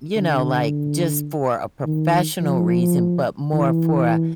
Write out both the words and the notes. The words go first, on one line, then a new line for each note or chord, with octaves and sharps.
you know, like, just for a professional reason, but more for a
D3
D#3
F3
E3